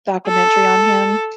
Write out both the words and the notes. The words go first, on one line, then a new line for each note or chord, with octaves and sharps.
documentary on him.
A4